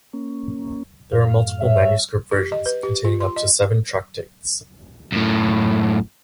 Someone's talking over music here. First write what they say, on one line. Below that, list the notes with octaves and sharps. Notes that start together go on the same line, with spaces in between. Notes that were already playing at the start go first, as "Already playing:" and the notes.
There are multiple manuscript versions, containing up to seven tractates.
A#3 C#4
F#2 A2 F5
G3 C#5 E5
G4
D#5
B4
G4
F4
C6
D#5
F#2 A2